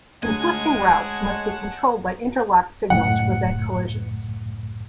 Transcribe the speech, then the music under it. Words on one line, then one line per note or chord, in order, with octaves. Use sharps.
Conflicting routes must be controlled by interlocked signals to prevent collisions.
D2 G#3 C#5 F#5 G#5 A5
C#2 F#2 A2 F#5